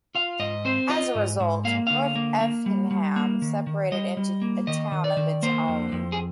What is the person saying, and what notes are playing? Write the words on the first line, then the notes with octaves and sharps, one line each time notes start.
As a result, North Effingham separated into a town of its own.
F4 F5
G#2 D#5
C4 C5
F4 D#5
G#2
G#2
A#3 F5
D3 F5
A#3
A#3
G3
G3
A#3
D#3
D#3
G3 D#5
G3
A#3
D#3 D#5
D#3
D5
D#3
A#3 C5
F2
F2
G#4